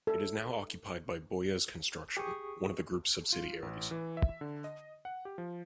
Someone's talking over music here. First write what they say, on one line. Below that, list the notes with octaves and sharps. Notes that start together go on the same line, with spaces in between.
It is now occupied by Bouygues Construction, one of the group's subsidiaries.
A4
G4 G#4 C#6 D#6
F4
A1
E3
E5
D3
D#5
F#5
G4
F3